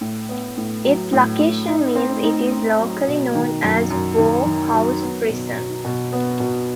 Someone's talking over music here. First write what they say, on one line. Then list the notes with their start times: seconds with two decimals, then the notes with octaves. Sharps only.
Its location means it is locally known as "Bowhouse Prison".
0.01 A2
0.29 B3
0.57 A2
0.85 F#3
1.13 A2
1.39 A2
1.68 D#4
1.95 C4
2.24 D#4
2.51 C4
2.79 F#3
3.07 B2
3.35 D#3
3.62 F#2
3.90 F#2
4.18 D#3
4.46 D#3
4.74 F#3
5.02 B3
5.29 B2
5.57 B2
5.84 B2
6.12 B3
6.40 B2